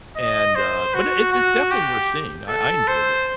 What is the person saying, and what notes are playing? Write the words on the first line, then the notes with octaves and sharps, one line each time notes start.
and, uh but i it's it's definitely worth seeing, I I enjoyed it.
D#5
C5
F#4
F#4
G4
A4
C5